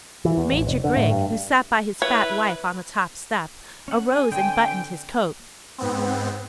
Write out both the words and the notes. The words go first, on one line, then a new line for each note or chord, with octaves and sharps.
Major Grigg, who sat by his fat wife on the top step, arose and buttoned his coat.
E3
E2
A1
F1
D3
A2
G2
E4 B4 C#5
C#4 F#5
G#4
D3 C4 G5 G#5
G#2 B3 C4